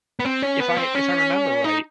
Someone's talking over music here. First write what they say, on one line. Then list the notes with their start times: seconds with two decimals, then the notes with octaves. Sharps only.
if I if I remember right,
0.19 B3
0.25 C4
0.42 C#4
0.60 B3
0.77 C4
0.95 C#4
1.64 D#4